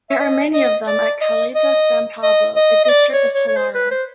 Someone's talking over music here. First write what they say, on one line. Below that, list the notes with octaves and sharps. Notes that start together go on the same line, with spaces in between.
There are many of them at Caleta's San Pablo, a district of Talara.
E5
D#5
D#5
D5
D#5
D#5
D#5
D#5
D#5
D5
C#5
C#5
C#5
C5
B4
C5